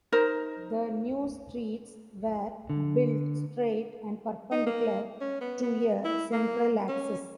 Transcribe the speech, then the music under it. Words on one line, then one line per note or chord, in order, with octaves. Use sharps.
The new streets were built straight and perpendicular to a central axis.
D#4 A#4 C5
D3
D#4
A#3
C#4
B3
B3
E4
A#3
C#4